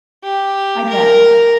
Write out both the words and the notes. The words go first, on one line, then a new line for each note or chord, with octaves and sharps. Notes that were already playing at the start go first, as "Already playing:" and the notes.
I bet.
G4
A#4